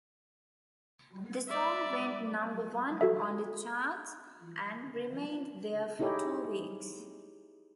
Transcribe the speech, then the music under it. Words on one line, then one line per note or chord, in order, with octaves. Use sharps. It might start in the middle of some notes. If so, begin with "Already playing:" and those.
The song went number one on the charts and remained there for two weeks.
D5 E5
F#4 A4 E5
D#4 E4 G4 G#4 C#5 D#5